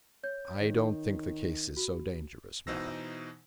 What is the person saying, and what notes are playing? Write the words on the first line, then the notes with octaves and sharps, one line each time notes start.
"I don't think the case is so dangerous, madam."
C#5 G6
D#3
F#4
B2 E3 D#4 C5 E6 A#6